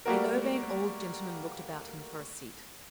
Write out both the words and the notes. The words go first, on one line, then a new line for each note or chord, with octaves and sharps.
The Urbane Old Gentleman looked about him for a seat.
G3 A3 A#3 F#4 A#4